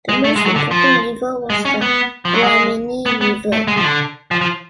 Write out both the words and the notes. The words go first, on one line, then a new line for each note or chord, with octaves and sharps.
The most important river was the Brahmani River.
G#3
A3
G#3
F#3
D3
F3
G#3
C#4
B3
F3
F#3
G#3
B3
B3
A3
G#3
F3
D3
F3
F3